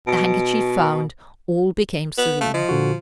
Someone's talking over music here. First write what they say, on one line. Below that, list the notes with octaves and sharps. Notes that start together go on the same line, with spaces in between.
The handkerchief found, all became serene.
B2
B3
A3 F5
F3 D#5
A#2 D3 F#4